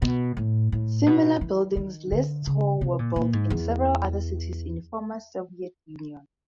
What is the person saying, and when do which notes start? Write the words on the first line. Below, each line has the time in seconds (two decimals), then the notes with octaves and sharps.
Similar buildings less tall were built in several other cities in former Soviet Union.
0.02 B2
0.37 A2
0.72 A2
1.06 B2
1.41 E3
1.76 D#3
2.12 D3
2.47 C#3
2.81 C3
2.99 A#2
3.16 A#2
3.33 G#2
3.50 E2